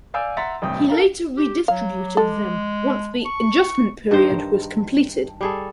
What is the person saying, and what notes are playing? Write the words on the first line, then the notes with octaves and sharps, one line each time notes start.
He later redistributed them once the adjustment period was completed.
D5 F5 G#5 E6 G6 D7
E5 F#5 A#5 C6 A6 B6
A1 G2 C3 G5 D#6
A4 A#4 F5 A#5
G4
F#3 F5
G#3 A4
C#6
G2 D#3 A#4 C5
G3 G#4 A4